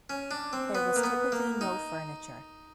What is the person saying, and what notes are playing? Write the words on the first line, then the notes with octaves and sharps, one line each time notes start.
There was typically no furniture.
C#4
D4
C4
B3
A#3
B3
A#3
D#4